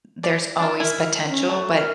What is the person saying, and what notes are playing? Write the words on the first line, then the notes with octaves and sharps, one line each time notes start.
there's always potential, but,
D5
D4 F4
E4 A#4
C#4
A3 F#4
A#4